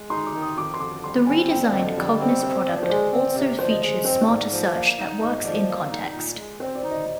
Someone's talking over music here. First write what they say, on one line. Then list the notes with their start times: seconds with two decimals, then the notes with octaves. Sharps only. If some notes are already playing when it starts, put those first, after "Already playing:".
The redesigned Cognos product also features smarter search that works in-context.
Already playing: G#3
0.10 D#4 C6
0.27 D6
0.34 D#3
0.42 D#6
0.57 F2 D6
0.74 C6
0.80 D3 D6
1.04 G3 C6
1.27 C4 G#5
1.50 F2 G5
1.63 D5
1.73 D3 D#5
1.96 G3 D#5
2.20 C4 D5
2.43 C3 C5
2.66 F3 D5
2.83 C5
2.89 G#3 D5
3.12 C4 D5
3.35 C3 D5
3.47 D5
3.59 F3 C5
3.70 D#5
3.82 G#3 D#5
4.04 C4 C5
4.21 C5
4.28 G#2 D5
4.52 F3
4.75 A#3
4.98 D#4
5.21 G#2 D#5
5.38 D#5
5.44 F3 D5
5.68 A#3
5.91 D#4
6.14 A#2
6.36 G#3
6.60 C4 C5
6.75 D5
6.83 D#4
6.91 D#5